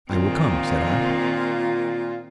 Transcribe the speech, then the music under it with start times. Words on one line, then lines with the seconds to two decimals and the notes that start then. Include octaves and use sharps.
"I will come," said I.
0.11 A#2 D#3 C4 F4